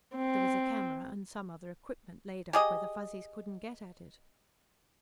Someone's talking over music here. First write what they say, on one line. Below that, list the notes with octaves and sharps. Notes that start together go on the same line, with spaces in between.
There was a camera and some other equipment laid up where the Fuzzies couldn't get at it.
C4
G4 G#4 D#5